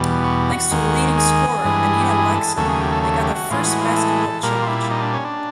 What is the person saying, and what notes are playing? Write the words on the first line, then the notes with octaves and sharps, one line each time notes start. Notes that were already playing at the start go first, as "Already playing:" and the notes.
Thanks to the leading scorer, Anita Waxen, they got their first basketball championship.
Already playing: E2 B2 G3
F#4
D#2 D#3 G#3
G#4
G2 E3 G#3
G4
G#4
A4
D#2 C#3 F#3 A3 A4
G#4
G4
A4
A4
G4
F#4
A2 E3 G#3 F4
F#4
F4
A4
A#2 G3 A#4
F4
E4
D#4
D4
C#4
D4